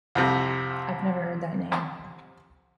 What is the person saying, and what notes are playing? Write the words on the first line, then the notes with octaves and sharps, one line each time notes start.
I've never heard that name.
C2 F2 C3